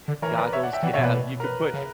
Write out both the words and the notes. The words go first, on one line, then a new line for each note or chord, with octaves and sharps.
goggles Yeah you could put
D3
E3 A#4 C#5
B4 D5
C#5 E5
D5 F#5
E5 G5
E3 D5 F#5
C#5 E5
B2
B4 D5
A#4
B4
C#3